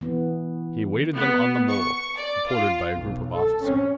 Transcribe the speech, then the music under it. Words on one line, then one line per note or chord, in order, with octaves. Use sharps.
He awaited them on the mole, supported by a group of officers.
E3 B3
B3
C#6
D5
F4
B1
A4
C#4